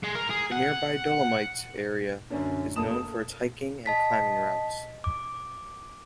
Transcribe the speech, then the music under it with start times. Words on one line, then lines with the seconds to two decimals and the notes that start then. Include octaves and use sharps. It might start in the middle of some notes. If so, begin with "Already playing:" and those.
The nearby Dolomites area is known for its hiking and climbing routes.
0.03 G#3
0.15 A#4
0.30 G#4
0.52 F#5
2.30 F#2 D3 C#4 D4
2.76 F1 A#3 A5 D#6 E7
3.86 D#5 A5 B6
5.04 D6